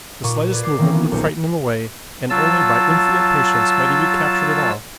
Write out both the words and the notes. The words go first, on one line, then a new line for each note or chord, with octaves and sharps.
The slightest movement would frighten him away and only by infinite patience might he be captured at all.
A#2 C#6
B4 D5 G#6
D6 G6 C7
D#3 E3 A#3 C4 C#4
A#3 B3 F4
D#1 B1 C5 C#7
F#3 F4 A5 E6